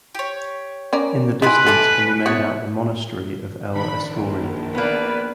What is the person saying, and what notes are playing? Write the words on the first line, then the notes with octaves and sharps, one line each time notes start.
In the distance can be made out the monastery of El Escorial.
G4 C#5
C#4 A#4 D5
D#4 E4 B4 G#5 B5 C6
A4 E5 G#5 D6
B3 E4 C#5 F#5 A5
D#3 D4 B5
A#1
A#3 B3 B4 D5